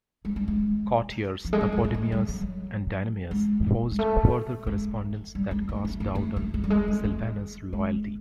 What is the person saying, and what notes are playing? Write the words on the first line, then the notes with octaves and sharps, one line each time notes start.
Courtiers Apodemius and Dynamius forged further correspondence that cast doubt on Silvanus' loyalty.
G#3
G3
G#3
F3
G#3
G3
G#3
A3
A3
G3
F#3
G#3
G#3
A3
G#3
G3
G#3
A3
A3
A3
A3
A3
G#3
G3
G#3
G#3
A3
G#3